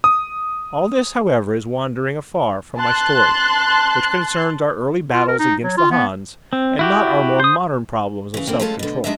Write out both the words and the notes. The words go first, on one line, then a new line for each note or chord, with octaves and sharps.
All this, however, is wandering afar from my story, which concerns our early battles against the Hans, and not our more modern problems of self-control.
D#6
A5 C6 F#6
F4
A#4
D#4
F#3
F4
B3
C4
E4 F#4 G4
C5 D#6
C#3 E3
D3 A#3 C4
G#3 A3 C#4 F4 G4 A4
B2 D3
G3 G#3 D4 D#4 D#5 E5